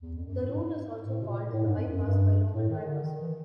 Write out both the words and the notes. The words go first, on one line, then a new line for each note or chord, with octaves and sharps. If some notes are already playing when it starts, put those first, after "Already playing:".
The route is also called "the bypass" by local drivers.
E2
F2
F#2
G2
A2
G#2
A2
B2
A#2
A2
G#2
F2
F#2
G2
A2
D#3
D3
D#3
E3